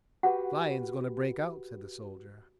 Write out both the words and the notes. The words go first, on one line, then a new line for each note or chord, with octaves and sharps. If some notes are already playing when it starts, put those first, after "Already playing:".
"Flying's going to break out," said the soldier.
F#4 G4 B4 F#5